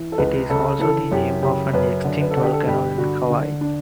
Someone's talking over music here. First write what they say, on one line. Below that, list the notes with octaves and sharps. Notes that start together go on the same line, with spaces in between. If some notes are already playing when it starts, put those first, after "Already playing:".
It is also the name of an extinct volcano in Hawaii.
Already playing: E3
A4
C#2 B4
C#3 A4
E3 A4
F#2 G4
C#3 G4
F#2 B4
D3
B4
A4
D3
G4
A4
G2 G4
D3 F#4
D3
D4